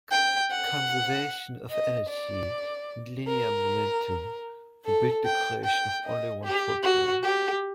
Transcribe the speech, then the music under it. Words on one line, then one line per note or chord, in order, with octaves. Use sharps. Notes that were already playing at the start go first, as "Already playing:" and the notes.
Conservation of energy and linear momentum forbid the creation of only one photon.
G5
F#5
D#5
D5
A#4
A4
G5
G5
D#5
G4
F#4
G4